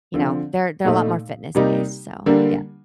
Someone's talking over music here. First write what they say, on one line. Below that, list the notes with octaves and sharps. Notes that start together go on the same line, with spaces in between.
you know, they're they're a lot more fitness based, so, yeah.
D3 F3 C4
A#2 A3 D#4 A4
C3 G3 A#3 D#4 G4
D3 G3 A#3 D4